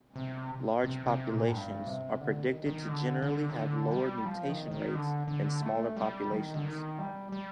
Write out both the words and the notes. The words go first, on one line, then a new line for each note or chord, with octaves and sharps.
Large populations are predicted to generally have lower mutation rates than smaller populations.
C3
C3
C3
A#2
A2
G2
C3
D3
D#3
D#3
D3
D3
D#3
D3
G3
F3
D#3
D#3
D3
D3
A3
G3
D#3
D3
D#3
G3
G3